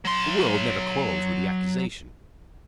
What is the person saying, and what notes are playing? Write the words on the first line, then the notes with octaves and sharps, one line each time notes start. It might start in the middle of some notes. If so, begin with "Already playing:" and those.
The world never quarrels with the accusation.
F#3 C6